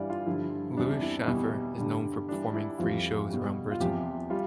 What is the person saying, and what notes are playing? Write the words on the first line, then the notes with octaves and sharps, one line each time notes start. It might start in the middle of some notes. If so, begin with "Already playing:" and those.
Lewis Schaffer is known for performing free shows around Britain.
Already playing: G2 E3 G3 D5 F5
F4
G2 D3 F3 E4
E2 C3 G3 D4
E4
E2 B2 G3
G2 D3 G3
G2 E3 G3 D4
E4
F2 E3 G3 F4
B2 G3
F4
E2 C3 F3 G4
G3 F4